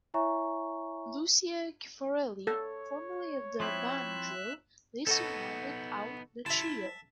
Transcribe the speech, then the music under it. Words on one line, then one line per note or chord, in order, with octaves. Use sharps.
Lucia Cifarelli, formerly of the band Drill, later rounded out the trio.
E4 C#5 E5 G#5 A#5 C#6
A4 C#5
F3 C4 E4 E5 F#6
B3 D#4 F#4 A4
E4 E5 A5 C6